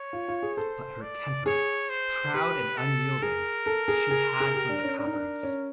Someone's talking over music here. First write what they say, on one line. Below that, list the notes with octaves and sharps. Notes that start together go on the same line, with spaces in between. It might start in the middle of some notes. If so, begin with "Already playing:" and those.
But her temper, proud and unyielding, she had from the Coppards.
Already playing: C#5
F4
F4
G#4
A4 C5
D5
G#4 C#5
C5
G4 B4
A4
G#4 A#4
A4
G#4
G#4
G#4
G4
D4
C#4
D4 A#4
D#4
D4
C#4